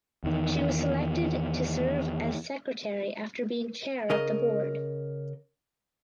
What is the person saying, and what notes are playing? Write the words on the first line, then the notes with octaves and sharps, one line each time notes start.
She was selected to serve as secretary after being chair of the board.
E2 D#3
C#3 A#4 D#5